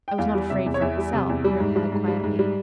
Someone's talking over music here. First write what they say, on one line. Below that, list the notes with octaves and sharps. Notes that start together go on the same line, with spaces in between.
"I was not afraid for myself," he replied quietly.
G5
E2 F5
G3
C3 E5
E2
C#5
E2 E5
G3
C3
E2
G3
G#2
G3
G#2
G3
G#2
G3